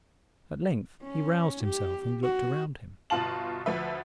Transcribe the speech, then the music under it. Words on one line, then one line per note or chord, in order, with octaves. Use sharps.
At length he roused himself and looked around him.
C#4
G4
F#4
G1 B2 F4 F5 A5 F#7
D2 F3 B4 E5